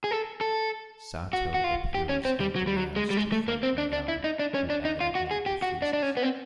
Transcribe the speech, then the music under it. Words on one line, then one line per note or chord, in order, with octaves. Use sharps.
Sato appears and demands to fight Miyagi, who adamantly refuses.
G#4
A4
A4
F#4
F#4
F4
G4
C#4
C4
G3
F#3
G3
F#3
G#3
G3
G#3
A3
A#3
C4
D4
D4
E4
D#4
D4
C#4
D4
D#4
F4
F#4
G#4
G4
F#4
D4
D4
C#4
B3
C4